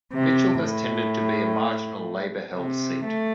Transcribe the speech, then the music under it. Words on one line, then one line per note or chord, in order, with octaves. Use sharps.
Mitchell has tended to be a marginal Labor-held seat.
C3
A2
C3
A3